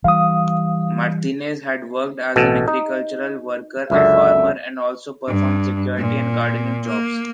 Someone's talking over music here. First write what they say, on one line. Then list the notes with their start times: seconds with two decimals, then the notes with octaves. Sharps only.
Martínez had worked as an agricultural worker, a farmer, and also performed security and gardening jobs.
0.04 E3 G3 F5 D#6
2.36 A1 B2 A4
2.68 D#4
3.90 C#2 F#2 D3 E5
5.27 G2
5.97 A#2
6.88 A#3